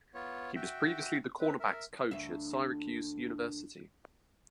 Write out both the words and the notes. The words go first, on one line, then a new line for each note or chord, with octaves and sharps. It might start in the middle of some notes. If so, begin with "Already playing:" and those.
He was previously the cornerbacks coach at Syracuse University.
B3 F4 C#5
F#4 E5 G5
C4 B4
A#4 E5
D2 E5